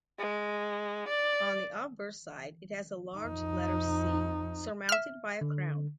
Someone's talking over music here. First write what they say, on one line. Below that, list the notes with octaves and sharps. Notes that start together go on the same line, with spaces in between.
On the obverse side it has a large letter "C" surmounted by a crown.
G#3
D5
F2 D#4
E5 F6
D3